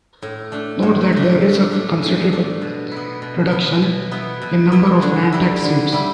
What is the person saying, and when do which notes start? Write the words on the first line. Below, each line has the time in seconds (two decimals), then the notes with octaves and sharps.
Note that there is a considerable reduction in the number of Landtag seats.
0.22 A2
0.52 A3 D4
0.82 A2
1.13 A3 D4
1.42 A2
1.72 A3 D4
2.02 A2
2.33 A3 D4
2.62 B2
2.91 E4
2.97 B3
3.22 B2
3.52 B3 E4
3.82 B2
4.11 B3 E4
4.42 B2
4.72 B3 E4
5.02 D3
5.32 G3 E4
5.62 D3
5.92 G3 E4